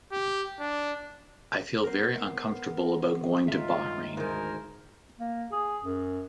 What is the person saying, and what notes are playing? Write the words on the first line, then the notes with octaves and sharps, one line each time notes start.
I feel very uncomfortable about going to Bahrain.
G4
D4
B3 A#4 C5
G2 D#3 G#3 F4 A#4 E5
D2 G#2 D#3 A#4 C5 G#5
A#3
G#4
F#2